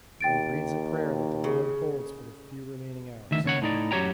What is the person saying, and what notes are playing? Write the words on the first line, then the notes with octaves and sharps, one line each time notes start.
One breathes a prayer that the Road holds for the few remaining hours.
D#2 G5 A6 D7
C#3
D2 D#3 E5
D#2 C#3 C#5 F#5
A2 D#4 D5
F#2 F#4 G4 C#5 G5 A#5